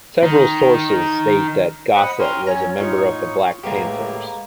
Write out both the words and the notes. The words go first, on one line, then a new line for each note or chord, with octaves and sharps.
Several sources state that Gossett was a member of the Black Panthers.
D#3 D#4
C5 D#5 F#5 B5
C#4 G5 A#5 C6 F6
F#3 C#4 C#5 A#5
A2 D#4 F4 C#6
A2 G#3 A#3 B3 G4 A#5